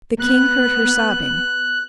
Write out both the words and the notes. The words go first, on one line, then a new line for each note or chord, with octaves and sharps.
The king heard her sobbing.
B3 F#6